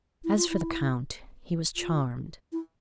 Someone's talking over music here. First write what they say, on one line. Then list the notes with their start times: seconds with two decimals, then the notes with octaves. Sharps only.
As for the Count, he was charmed.
0.24 E4
0.37 F4
0.49 E4
1.76 F4
2.52 E4